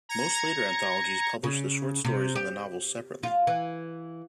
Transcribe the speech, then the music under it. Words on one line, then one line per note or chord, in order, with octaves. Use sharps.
Most later anthologies published the short stories and the novels separately.
A#5 G#6 A#6 C#7
C#3
C3
G4
F4
E3